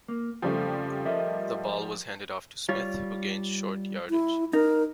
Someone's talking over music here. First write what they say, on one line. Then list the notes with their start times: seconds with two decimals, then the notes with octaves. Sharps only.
The ball was handed off to Smith, who gained short yardage.
0.08 A#3
0.42 F2 C#3 F3 G3 A3 G4
1.05 A#4 D#5 E5
2.69 G3 F4 C#5
4.10 E4
4.53 D#4 A#4